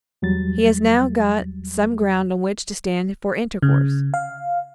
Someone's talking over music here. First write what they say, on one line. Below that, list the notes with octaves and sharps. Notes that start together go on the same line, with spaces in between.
He has now got some ground on which to stand for intercourse.
E2 F#3 G3 A6
C#3
F5